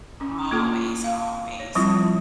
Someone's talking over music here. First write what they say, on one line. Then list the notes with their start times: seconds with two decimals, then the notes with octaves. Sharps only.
Always, always.
0.21 C#4
0.51 A#3 F4 A4
1.04 F5
1.59 C#5
1.75 F3 G3 C4 E4 F4